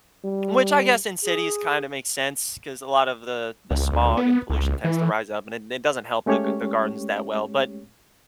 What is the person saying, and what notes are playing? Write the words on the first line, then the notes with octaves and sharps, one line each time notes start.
which I guess in cities kinda makes sense 'cause a lot of the the smog and pollution tends to rise up and it it doesn't help the g the gardens that well, but,
G3
G#4
C#2
D2
B3
C#2
E3
G#3 A3 C#4 G4 C#5